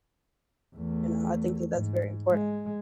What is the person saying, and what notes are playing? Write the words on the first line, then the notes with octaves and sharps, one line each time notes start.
You know, I think that that's very important.
E2 A3
G#2
G#3